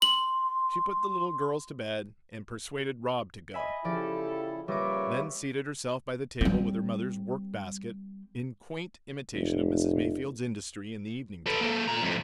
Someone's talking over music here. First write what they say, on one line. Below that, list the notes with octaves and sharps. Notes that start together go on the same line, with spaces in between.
She put the little girls to bed and persuaded Rob to go; then seated herself by the table with her mother's work-basket, in quaint imitation of Mrs. Mayfield's industry in the evening time.
C6 F#7
D#5 E5 G#5 B5
C#3 F3 E4 G4 A4 D5
A#2 C#3 G3 B4 C#5 D#5 E5 D6
G3 C4
F1
A4 B4
A#3 A4
A#2 A#5
F2 A2